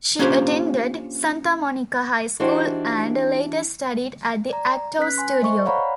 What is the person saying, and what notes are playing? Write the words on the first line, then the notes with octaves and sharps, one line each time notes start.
She attended Santa Monica High School and later studied at the Actors Studio.
A#3 C#4 D4 F4 G4 C5
E3 D4 D#4 F#4 G4 C5
D5 A#5
C#4 B4 F#6 B6
G#5 C6
A4 C5 D#5 E5 C#6
C#5 D5 F5 F#5 A#5 B5